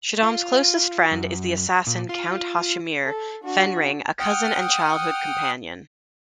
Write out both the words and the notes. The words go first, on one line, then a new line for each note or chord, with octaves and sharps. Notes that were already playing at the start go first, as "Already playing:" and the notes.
Shaddam's closest friend is the assassin Count Hasimir Fenring, a cousin and childhood companion.
F4
F#2
A#2
F4
A4
D4 F#4
F#5 G5 D#6 F6